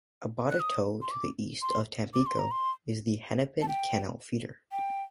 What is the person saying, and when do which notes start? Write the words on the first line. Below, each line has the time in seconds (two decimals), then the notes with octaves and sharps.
About a to the east of Tampico is the Hennepin Canal feeder.
0.50 F#6
0.60 D#6
1.02 C6
1.11 D6
1.62 C6
2.14 D6
2.26 C6
2.39 A#5
2.51 C6
3.62 A5
3.68 G5
4.72 G5